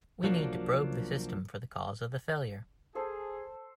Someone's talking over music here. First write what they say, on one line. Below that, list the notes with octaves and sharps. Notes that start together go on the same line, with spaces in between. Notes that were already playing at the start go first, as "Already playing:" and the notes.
We need to probe the system for the cause of the failure.
C2 F3 F#3 A#3 D4
G#4 A4 C5